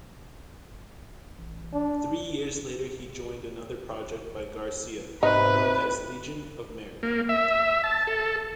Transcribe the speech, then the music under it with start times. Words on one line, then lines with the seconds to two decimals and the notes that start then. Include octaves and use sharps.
Three years later he joined another project by Garcia known as Legion of Mary.
1.38 A1
1.73 D4
5.23 G#2 C3 D#4 B4
7.03 A#3
7.29 E5
7.84 A5
8.07 A4